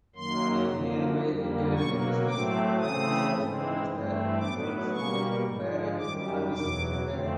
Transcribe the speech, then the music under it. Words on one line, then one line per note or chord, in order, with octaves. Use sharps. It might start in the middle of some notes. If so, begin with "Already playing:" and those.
A nearby retail and business complex was known as the Portsmouth Parade Office Center.
F#2 D#3 F#3 A#3 C6
F#2 D3 F3 A#3
F2 D3 G3 A#3
B2 F#3 A#3 C#6
A2 F#3 A3 C4 D6
C#3 E3 A3 C4 D#6
G#2 E3 G#3 C4
G2 E3 A3 C4
A2 F#3 B3 D6
B2 G3 A#3 C#6
G#2 F3 G#3
F#2 D#3 G3 D6
E2 B2 F#3 D6
F2 D3 F3 A3 C4